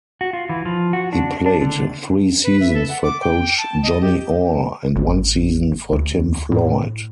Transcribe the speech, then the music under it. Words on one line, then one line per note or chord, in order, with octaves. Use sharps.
He played three seasons for coach Johnny Orr and one season for Tim Floyd.
F#4
F4
E3
F3
F#4
D4
D4
D3
B4
E5
A4
F#5
D6
G5
A5
D#5
G4
G#1
D2
A2